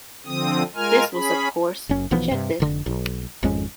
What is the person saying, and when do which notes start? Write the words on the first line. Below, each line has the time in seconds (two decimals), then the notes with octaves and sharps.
This was of course, rejected.
0.26 D3 F3 C4 D#6
0.75 G#3 F4 A#4 G#5 F6
1.14 C#4 G#4 B5
1.89 F#1 F#2 C#4
2.11 B1 E3 F3 B3
2.31 G2 C3
2.60 F1 D3
2.86 B1
3.43 G#1 F2 G#3 C#4